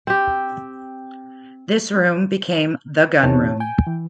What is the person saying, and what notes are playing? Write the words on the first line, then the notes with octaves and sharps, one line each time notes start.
This room became the gunroom.
C4 G4
E2 C3 D#3 C#5 A5
G5 G#5
E3